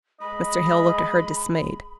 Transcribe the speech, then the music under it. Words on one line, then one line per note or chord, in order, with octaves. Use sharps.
Mr. Hale looked at her dismayed.
G#3 D#5 B5